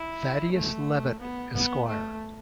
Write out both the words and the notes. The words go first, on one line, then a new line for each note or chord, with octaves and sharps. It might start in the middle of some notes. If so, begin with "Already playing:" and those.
Thaddeus Leavitt Esq.
Already playing: E4
A3
B3
B3
A3